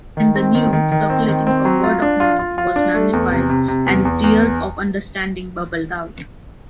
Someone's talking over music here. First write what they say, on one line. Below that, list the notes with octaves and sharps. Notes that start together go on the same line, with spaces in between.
And the news, circulating from word of mouth, was magnified, and tears of understanding bubbled out.
D#3
C4
D#3
D#3
D#3
C4
D#3
C4
F#3
F4
D4
F4
F4
F4
D4
A3
E2
C3
C3
C3
E2
E2
E2